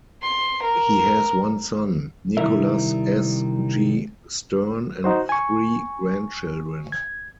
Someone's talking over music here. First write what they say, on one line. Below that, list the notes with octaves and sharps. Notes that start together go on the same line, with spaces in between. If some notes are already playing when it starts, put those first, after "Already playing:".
He has one son, Nicholas S. G. Stern, and three grandchildren.
C6
A#4
C2 D#3 G3 E4 A#4 E5
D#4 F#4 C5
G#5 C#6
G#6